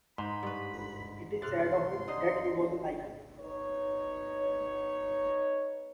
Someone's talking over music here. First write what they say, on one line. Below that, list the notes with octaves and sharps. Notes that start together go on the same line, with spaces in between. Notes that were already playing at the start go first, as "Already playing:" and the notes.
It is said of him that he was an icon.
G#2 D#4 B5 C6
G2 B4
C3 C6 F6 F#6 A6
D3 D#4 D#5
B3 D#4 B4 C#5